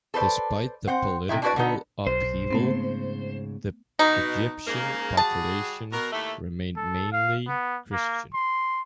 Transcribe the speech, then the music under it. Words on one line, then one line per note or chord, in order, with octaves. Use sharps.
Despite the political upheaval, the Egyptian population remained mainly Christian.
A4 B4 C5 D5
C4 C5 F#5
C3 D#3 E4
D4 E4 F#4 A#4 B4 D5
D3 B3 D#4
B1 C5
G#2 C#3 A3 B3 C4
B2 D#4
G#2 C#3 A#3
G3 F#4 G#4 A5
B2 A#4
D#2 A2 A3
A4
F5
B3
A#3
C6